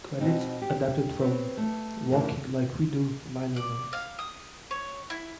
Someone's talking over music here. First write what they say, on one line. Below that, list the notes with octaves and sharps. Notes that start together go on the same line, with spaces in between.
Credits adapted from "Walking Like We Do" liner notes.
B2 C4 D#4
G4
C4 B4 C#5
A3
D3 E3 F3 A3 G#4 A#4
D5
F5
D#6
C#5
E4